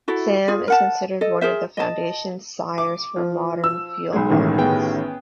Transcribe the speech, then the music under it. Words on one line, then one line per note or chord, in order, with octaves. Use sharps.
Sam is considered one of the foundation sires for modern field lines.
E4 F#4 A4
F4 G#4
A#4 F#5 A5
A4 D#5
G#4 A#4 C5 E5
D#5 A5
D6
F3
E6
B1 G#3
A1 A2 D#3
B3 G#4 G5